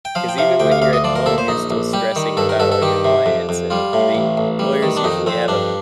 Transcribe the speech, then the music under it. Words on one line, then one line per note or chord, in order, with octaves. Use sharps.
'cause even when you're at home, you're still stressing about all your clients, and they lawyers usually have a
G5
F3 F5
G5
C3 F5
D2 G5
F5
D2 F5
D#5
F3 D5
A#4
A#2 A4
C5
A#1 D#4
A#1
G3 G4
D#3
G2 A4
A#4
G2 A4
A4
D#3 G4
C3
F2
F2
G3 F4
A2
A1
A1
G3
D#3
D4
F2 D#4
F2 C4
G2 D4